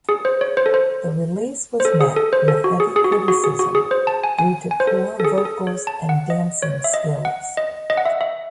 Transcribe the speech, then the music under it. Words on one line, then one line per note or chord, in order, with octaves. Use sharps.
The release was met with heavy criticism due to poor vocals and dancing skills.
G#4
C5
C#5
C5
A4
C5
C5
A4
G#4
A4
C5
A4
F#4
G#4
G#4
F#4
G#4
F#4
G#4
F#4
G#4
C5
A5
G#5
G#5
G#5
C5
A4
A4
G#4
G#4
A4
C#5
A5
F#5
D#5
C#5
E5
D#5
F#5
D#5
D#5
F#5
E5
E5